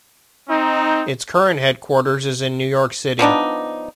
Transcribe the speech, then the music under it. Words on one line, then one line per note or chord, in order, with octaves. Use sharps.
Its current headquarters is in New York City.
C4 D#4
F3 B3 D4 D#4